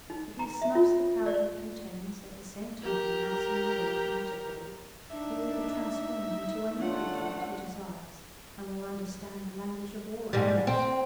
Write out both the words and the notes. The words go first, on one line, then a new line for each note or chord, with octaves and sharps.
If he snuffs the powder it contains, at the same time pronouncing the word 'Matabor,' he will be transformed into any creature that he desires, and will understand the language of all animals.
D#4
A#5
E5
F4
D5
G4 A#4
D4 D#4 E5
A3 C#4 D4 F4 F#5
G#2 G3
C4